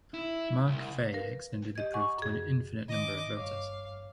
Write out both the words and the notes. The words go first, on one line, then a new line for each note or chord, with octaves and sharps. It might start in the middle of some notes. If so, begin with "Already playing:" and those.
Mark Fey extended the proof to an infinite number of voters.
E4
C2
A#4 B4 F5
G4 D#5 G#6
D#5 F#5 G#5 C#6 D6
F#2 G#4
D#3 D#5 D6
G2 C#5 F5 D6